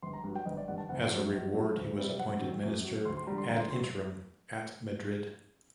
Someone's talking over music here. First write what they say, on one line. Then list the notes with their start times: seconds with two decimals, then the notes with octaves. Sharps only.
As a reward he was appointed minister "ad interim" at Madrid.
0.03 G1 C6
0.13 A#5
0.24 G2 F#3
0.35 G5
0.45 G1 D#5
0.57 D5
0.68 G2 D#3 F#5
0.78 A5
0.89 F#1 F#5
1.11 F#2 F#3 A3
1.32 A#1
1.54 A#2 F#3 A3 C4
1.76 D2
1.98 C3 G3 C4
2.19 F#2 F#5
2.41 D#3 F#3 C4
2.63 F#2
2.84 F#3 C4
3.05 D2 C6
3.17 C6
3.27 D3 G3 A#5
3.38 C6
3.49 G1 A#5
3.60 C6
3.71 C6
3.73 F#3 C4